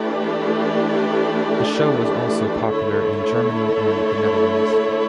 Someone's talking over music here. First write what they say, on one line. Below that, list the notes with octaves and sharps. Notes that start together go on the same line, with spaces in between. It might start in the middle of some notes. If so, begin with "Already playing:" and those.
The show was also popular in Germany and the Netherlands.
Already playing: E3 A3 D4 G4 D5
D3 A3 E4 A4 C#5